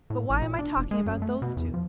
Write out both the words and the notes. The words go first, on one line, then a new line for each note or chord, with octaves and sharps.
But why am I talking about those two?
A2
A1
A#2
D4
E1
G#3
F#2
A3
B2
E2
F3